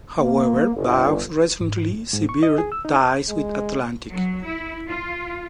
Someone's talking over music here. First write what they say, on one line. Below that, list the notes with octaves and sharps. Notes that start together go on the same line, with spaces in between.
However, Vaux recently severed ties with Atlantic.
A#3
G1
G#2
G#2
C#6
D#5
G#4
E6
D#4
G#3
F#3
E4
F4